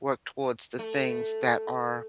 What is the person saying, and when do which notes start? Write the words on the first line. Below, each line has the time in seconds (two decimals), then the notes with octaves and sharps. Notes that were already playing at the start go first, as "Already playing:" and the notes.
work towards the things that are
0.79 A3